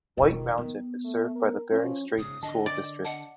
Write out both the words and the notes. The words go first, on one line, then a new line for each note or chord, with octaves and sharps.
White Mountain is served by the Bering Strait School District.
E1 D#3 F4
B3
A3
A#4
F3 C#4
G#2 C#3 D#6
D3 D#5 A5
D5
D#5 F#5 A5